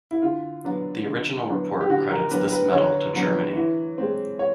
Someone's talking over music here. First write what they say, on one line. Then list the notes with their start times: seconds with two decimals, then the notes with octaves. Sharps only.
The original report credits this medal to Germany.
0.11 E4
0.22 D3 F4
0.64 F#3 B3 D4
1.06 D3
1.47 F#3 B3 D4
1.81 G4
1.89 D3 F#4
2.11 A#4
2.31 F#3 B3 D4 B4
2.52 B4
2.72 D3 C#5
3.14 F#3 B3 D4
3.56 E3
3.98 G#3 C4
4.39 C#5